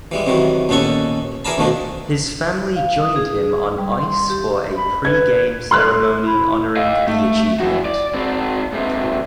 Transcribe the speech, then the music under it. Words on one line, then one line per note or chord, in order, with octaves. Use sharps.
His family joined him on ice for a pre-game ceremony honouring the achievement.
E3 G3 G#3
C3 D#3 E3 F#3
D#2 A#2 B3 C#4 A4 C#6
E3 G#4 A#4 D5 A5 B5
D2 B2 D#3 F3 D4
F5
D#6
G#4
G3
C6
G4
B5
B4 G#6
A4 C6 F6 F#6
E4
D#5 F5
A3
E3 F#4
D5
G#2 C4
G#2 C3